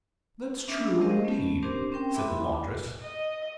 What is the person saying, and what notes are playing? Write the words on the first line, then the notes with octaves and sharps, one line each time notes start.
"That's true, indeed!" said the laundress.
B3 C#4 D4 E5
G4 A#4 C5 D#5 F5
A3 B3 C#4
C4 D4 G4 A#4 C5
C4 C#4 A#4 G5
A#3 E4 E5 B5 C6 D6
D#5